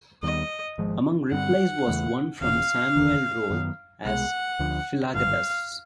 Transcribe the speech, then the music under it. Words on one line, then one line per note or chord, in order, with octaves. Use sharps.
Among replies was one from Samuel Rolle as Philagathus.
D#2 D#3 G3 B3 D#5
G#1 G#2 F3 G#3
G2 D3 G3 C4 F#5
E2 C#3 E3 A3
E1 E2 C#3 F5
F1 D#2 D#3
F#2 D#3 F#3 B3
C2 B2 G#3 F#5
D2 D3 F3
G#1 G2 D3 F5